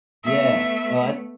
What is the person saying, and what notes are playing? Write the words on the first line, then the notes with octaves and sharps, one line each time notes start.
Yeah. Oh, I
A3 B3 E5